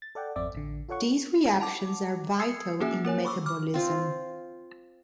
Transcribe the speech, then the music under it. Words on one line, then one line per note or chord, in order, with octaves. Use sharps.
These reactions are vital in metabolism.
A6
A4 D5 F#5 G5
G#1 F2 C4 D5 E5 D6
A1 D3
F4 A4 C#5 F#5 C#6
F#5 A5 D6
D#6 E6 G#6 C7 C#7
A#3 C#4 F#4 G#4 E5 G#5
A#3 A#4 C#5 G#5
B5 C#6 D6 E6
D6 F6
C4 F4